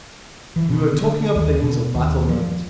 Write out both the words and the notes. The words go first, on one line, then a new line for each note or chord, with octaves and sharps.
We were talking of things of vital moment.
E3
B2
D3
D#2
B2
D#2
F3